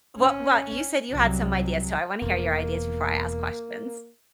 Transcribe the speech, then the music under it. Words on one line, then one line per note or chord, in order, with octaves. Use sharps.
well well, you said you had some ideas, so, I wanna hear your ideas before I ask questions.
C#4
C2 F#3
E1 E2 A#3